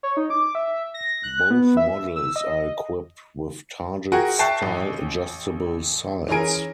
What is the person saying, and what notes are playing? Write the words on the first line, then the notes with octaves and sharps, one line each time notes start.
Both models are equipped with target style adjustable sights.
C#5
D#4
D6
E5
A#6
F#6
B3
E5
E6
D#5
F#4 G#4 A#4 F#5 G5
E5 G5 A5 C#6 F#6 C7
A1
E3 C#4 G#4 A#4 D7